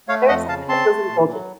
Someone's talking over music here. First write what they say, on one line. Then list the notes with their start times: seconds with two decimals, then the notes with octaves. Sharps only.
there is something that feels indulgent.
0.08 A3 C#5 F5
0.28 F2 D#5 F#5
0.48 C#3 F5 A5
0.68 C4 A5 C6
0.89 A3
1.09 A#2
1.29 F#3